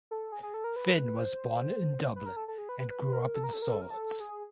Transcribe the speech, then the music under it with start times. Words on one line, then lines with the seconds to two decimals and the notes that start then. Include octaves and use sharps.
Finn was born in Dublin and grew up in Swords.
0.11 A4
0.32 G#4
0.43 G#4
0.54 A4
0.64 A#4
0.76 B4
1.19 C5
2.16 B4
2.26 A#4
2.36 A4
2.48 A4
2.58 G#4
2.69 B4
2.80 B4
2.90 B4
3.13 A#4
3.34 A4
3.44 A#4
3.53 A4
3.62 A#4
3.72 A4
3.82 A#4
3.90 A4
4.20 G#4